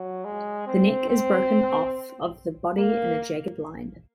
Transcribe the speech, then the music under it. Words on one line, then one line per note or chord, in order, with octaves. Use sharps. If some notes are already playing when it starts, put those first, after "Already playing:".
The neck is broken off of the body in a jagged line.
Already playing: F#3
G#3
C4
C4
A#3